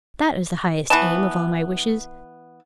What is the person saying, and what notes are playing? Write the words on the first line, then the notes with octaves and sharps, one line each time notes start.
That is the highest aim of all my wishes!
E3 B3 A5